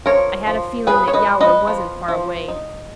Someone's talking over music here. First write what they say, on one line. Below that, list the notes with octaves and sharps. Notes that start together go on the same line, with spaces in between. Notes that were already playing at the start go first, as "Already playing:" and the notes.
I had a feeling that Yowler wasn't far away.
F3 A#4 C#5
F3
B3 G#4 B4
C#5
B4 D#5
G#3
B4 D#5
F3
F3
D#4